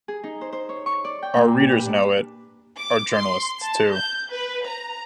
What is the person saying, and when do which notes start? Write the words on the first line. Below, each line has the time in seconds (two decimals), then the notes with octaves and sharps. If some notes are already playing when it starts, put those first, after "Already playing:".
Our readers know it, our journalists too.
0.08 G#4
0.23 D#4
0.41 C5
0.52 C5
0.69 C#5
0.86 C#6
1.04 D5
1.22 G5
1.36 A#2
1.60 G4
1.71 B4
1.86 D4
2.78 D6
3.13 C6
3.61 A5
3.93 G6
4.31 B4
4.67 A#5